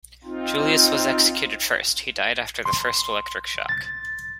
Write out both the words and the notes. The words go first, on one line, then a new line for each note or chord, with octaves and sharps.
Julius was executed first; he died after the first electric shock.
C4 D#4 F4
C6
A6